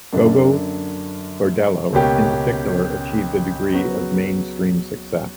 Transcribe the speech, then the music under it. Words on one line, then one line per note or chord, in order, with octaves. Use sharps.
Gogol Bordello, in particular, achieved a degree of mainstream success.
F#2 D3 A#3 D4
C#2 B2 A#3 C#4 G4
C#3 F#3 B3 F#4